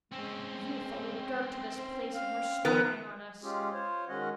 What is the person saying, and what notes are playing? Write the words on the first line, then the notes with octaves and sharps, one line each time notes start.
"You followed Girk to this place and were spying on us."
G#3 C4 C#4
C5
F5
D#3 F3 B3 A#4 B4
G#3 C#4 F4 G4 G#4
F4 C5 C#5
D#3 G#3 C#4 F#4 D#5 F#5